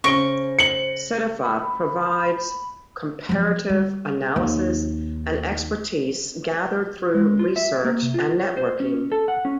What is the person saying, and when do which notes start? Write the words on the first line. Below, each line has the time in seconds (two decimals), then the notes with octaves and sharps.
Cedefop provides comparative analyses and expertise gathered through research and networking.
0.04 C#3 C#4 C5 C#6 A#6 D7 G7
0.59 C#7 F#7
1.43 B5
3.29 F3 F#3
3.69 G3
4.36 D#2 D#4
7.14 G#3
7.39 F4
7.56 E5
7.84 A#3
8.02 C3
8.14 F4
8.40 C#5
8.57 C5
8.80 C#4
9.12 A4
9.28 F#5
9.45 C#4